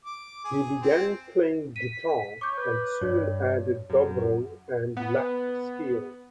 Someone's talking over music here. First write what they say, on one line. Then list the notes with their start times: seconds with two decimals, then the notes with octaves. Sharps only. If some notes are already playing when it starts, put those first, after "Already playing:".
He began playing guitar and soon added dobro and lap steel.
0.05 D6
0.44 G#4
0.82 C4
1.76 B6 D#7
2.41 C#5 D6 G6
2.58 B4
3.01 G2 C#5 D5
3.89 F#2
4.97 B3